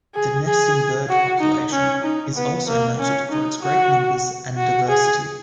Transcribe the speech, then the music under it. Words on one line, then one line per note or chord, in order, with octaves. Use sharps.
The nesting bird population is also noted for its great numbers and diversity.
G#4
G#4
F#4
D#4
C#4
D#4
B3
A#3
C#4
D#4
F#4
F#4
G#4